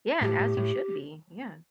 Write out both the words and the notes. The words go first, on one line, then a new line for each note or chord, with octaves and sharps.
Yeah, and as you should be, yeah.
A2 G4
A2
A2